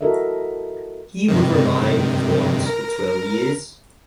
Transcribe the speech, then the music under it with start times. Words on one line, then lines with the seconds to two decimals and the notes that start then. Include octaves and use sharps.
He would remain in Florence for twelve years.
0.01 E4 F#4 A4 A#4 D#5 E5
1.28 G2 C3 D#3
2.66 A#4